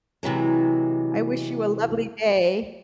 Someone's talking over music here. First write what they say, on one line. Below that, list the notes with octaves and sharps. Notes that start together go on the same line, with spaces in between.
I wish you a lovely day.
C3 E3 F#3 G#3